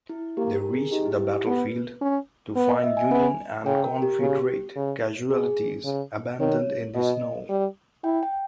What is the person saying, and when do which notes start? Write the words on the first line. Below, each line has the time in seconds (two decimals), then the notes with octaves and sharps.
They reached the battlefield to find Union and Confederate casualties abandoned in the snow.
0.09 E4
0.37 A#3 G4
0.55 A#4
0.74 G#4
0.92 D#4 G4
1.06 E4
1.19 G4
1.47 B3 B4
2.01 C#4
2.56 B3
2.70 D#5
2.84 E5
2.97 G#5
3.11 B3
3.66 C#3 G5
3.84 A#4
4.02 G4
4.20 C#3 G4
4.76 C#3
5.30 B2 G#4
5.85 C#3
6.40 D#3 C#5
6.95 B2 D#5
7.49 G3
8.04 E4 G5
8.23 G5